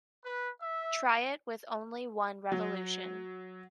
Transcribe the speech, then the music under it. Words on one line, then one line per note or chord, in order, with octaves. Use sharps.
Try it with only one revolution.
B4
E5
F#3